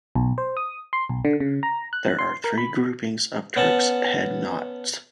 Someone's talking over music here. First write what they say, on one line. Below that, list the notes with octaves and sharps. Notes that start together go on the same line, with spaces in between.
There are three groupings of Turk's head knots.
B1
C5
D#6
C6
B1
D3
C#3
A#5
F#6
C6
A#4
B5
B3 C#4 F#5 A5